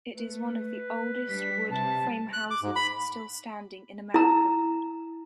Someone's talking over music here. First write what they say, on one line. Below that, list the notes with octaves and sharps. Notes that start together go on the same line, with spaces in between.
It is one of the oldest wood frame houses still standing in America.
A3 B4
G3 D4 B6
C3 G3 A5
F#6
D6
G#2
B5
E4 A#5